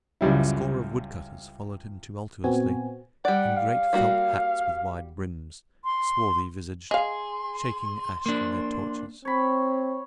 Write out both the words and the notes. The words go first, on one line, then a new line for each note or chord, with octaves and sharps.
A score of woodcutters followed him tumultuously, in great felt hats with wide brims--swarthy visaged--shaking the ash from their torches.
C#2 F#2 G3 E4
A#2 B3 C4 F#4 G#5
G3 D5 F#5
F5
G3 A#3 F#4
C6
G#4 D#5 F5 C6
A#3 D4
C4 C#5 B5